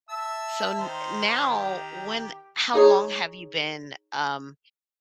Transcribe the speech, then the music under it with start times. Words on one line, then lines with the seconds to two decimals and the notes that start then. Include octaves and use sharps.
So, n now when how long have you been, um,
0.09 E5 A5 E6
0.79 D#3 C5
1.51 D#3 G4
2.74 D#4 G#4 C#5